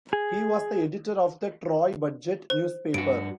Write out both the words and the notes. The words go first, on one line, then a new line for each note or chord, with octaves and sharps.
He was the editor of the "Troy Budget" newspaper.
G#4
C5
G2 F#4 D7